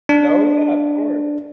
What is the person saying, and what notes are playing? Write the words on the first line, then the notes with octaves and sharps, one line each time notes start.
No, yeah, of course.
D4